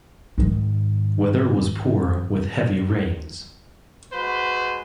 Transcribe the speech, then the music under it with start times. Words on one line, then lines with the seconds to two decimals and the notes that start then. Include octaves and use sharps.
Weather was poor with heavy rains.
0.38 G#2 D#3
4.12 G#3 F#4 B4 C5